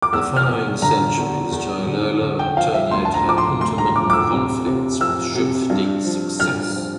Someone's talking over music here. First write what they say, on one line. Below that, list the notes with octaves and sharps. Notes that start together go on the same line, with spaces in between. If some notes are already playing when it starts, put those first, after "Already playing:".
In the following centuries Jailolo and Ternate had intermittent conflicts with shifting success.
D6
E2 E6
F6
E2
D3 A#5
E2
E2
D3
D3
G5
F3 F5
E5
D2 C6
A5
A#5
F3 D6
C6
D2 C6
A#5
F3 D6
D6
E6
C3
C3
F3 E6
C3
G2
F3
G2 F6
F3